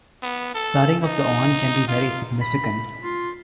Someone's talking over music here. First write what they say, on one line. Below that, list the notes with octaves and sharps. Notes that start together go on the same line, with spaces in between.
Flooding of the Orne can be very significant.
B3
A4
D#4
F4
B5
F4